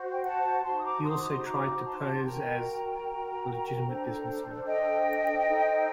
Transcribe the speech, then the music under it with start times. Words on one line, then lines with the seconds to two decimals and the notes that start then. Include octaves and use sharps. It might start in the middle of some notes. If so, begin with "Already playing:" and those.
He also tried to pose as a legitimate businessman.
Already playing: F#4 C5
0.13 G5
0.25 F#5 A5
0.65 D#4 F#4 C5 A5 C6
0.80 D#6
0.85 A#5 D6
1.05 C6 D#6
1.25 C6 D#6
1.35 D#6
1.45 A#5 D6
1.85 A5 C6
2.26 F#4 A#4 G5 A#5
3.86 D4 A4 C5
4.67 D#5 G5
5.47 D#4 A4 C5